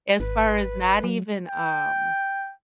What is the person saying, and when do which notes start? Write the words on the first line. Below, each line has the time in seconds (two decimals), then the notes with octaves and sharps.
as far as not even, um,
0.20 G#1 B4
1.04 F#3
1.48 G5